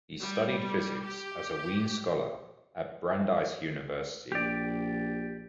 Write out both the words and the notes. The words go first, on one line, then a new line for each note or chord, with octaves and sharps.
He studied physics as a Wien Scholar at Brandeis University.
G3
G4
A#1 G4 D5